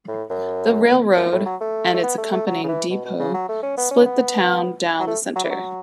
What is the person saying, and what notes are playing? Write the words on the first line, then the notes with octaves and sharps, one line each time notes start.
The railroad, and its accompanying depot, split the town down the center.
A2
F#2
F#2
A2
F#3
A3
A3
B3
A3
A3
F#3
C#3
E3
B2
B2
C#3
F#3
A3
C#4
B3
C#4
B3
F#3
A3
F#3
E3
F#3